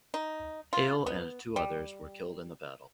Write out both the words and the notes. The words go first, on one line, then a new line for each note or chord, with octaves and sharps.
Hale and two others were killed in the battle.
D#4
F4
B3
G3